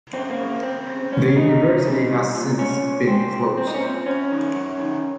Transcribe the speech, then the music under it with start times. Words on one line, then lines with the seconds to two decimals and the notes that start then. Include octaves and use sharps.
The University has since been closed.
0.13 F#2 C4
0.30 A#3
0.38 C#3
0.46 A#3
0.62 F#2 C4
0.87 C#3
1.11 F#2 C#4
1.36 C#3 D#4
1.62 F#2
1.85 C#3
2.10 C2
2.35 A#2
2.58 C2 C#4
2.83 A#2
3.08 C2 C4
3.33 A#2
3.57 C2 C4
3.67 D#4
3.74 C#4
3.81 A#2 C4
4.06 F#2 C#4
4.31 D#3
4.55 F#2
4.79 D#3